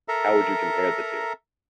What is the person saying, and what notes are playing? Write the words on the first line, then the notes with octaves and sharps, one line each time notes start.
How would you compare the two?
A4 A#4 E5 A#5